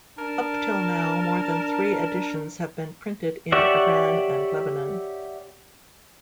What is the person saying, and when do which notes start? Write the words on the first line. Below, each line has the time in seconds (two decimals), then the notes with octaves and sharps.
Up till now more than three editions have been printed in Iran and Lebanon.
0.18 D4 A#4 A5
3.52 G4 C#5 D5 E5 F#5